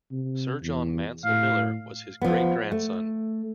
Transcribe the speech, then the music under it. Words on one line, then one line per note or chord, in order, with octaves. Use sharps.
Sir John Mansel Miller was his great-grandson.
C3
E2
A2 F5
F3 B3
A3